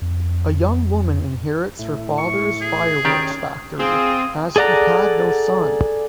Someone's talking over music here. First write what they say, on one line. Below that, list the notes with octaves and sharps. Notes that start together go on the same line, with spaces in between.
A young woman inherits her father's fireworks factory, as he had no son.
F2
A2 E4
C#6
G#4
D#3 C#4 G4 D5
C4 F4 G#4 D#6
G#4 A4 D5 F#5 A#5